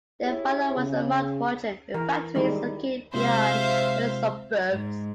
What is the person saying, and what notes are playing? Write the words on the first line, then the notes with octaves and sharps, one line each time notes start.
Their father was a malt merchant with factories located beyond Prague's suburbs.
E4 G4 G#4 C#5
C#3
E3 A#4
D#3 G3 G#3 D#4 E4
C3 G#3 F4 C5 E5 F5
G#2